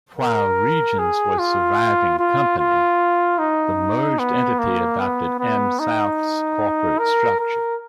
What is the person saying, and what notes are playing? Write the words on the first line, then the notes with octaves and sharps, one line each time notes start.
While Regions was surviving company, the merged entity adopted AmSouth's corporate structure.
A#4
G#4
F4
F4
F4
D#4
B3
A#3
B3
B3
D#4
A#4
A#4